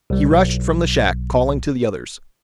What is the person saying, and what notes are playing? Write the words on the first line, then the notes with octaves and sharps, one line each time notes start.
He rushed from the shack, calling to the others.
C2 G3
B1